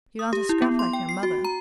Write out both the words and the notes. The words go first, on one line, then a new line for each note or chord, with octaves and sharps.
You aren't a scrap like your mother.
D#6
G4
E4
B3
C6
G5
C7
F#4
A#5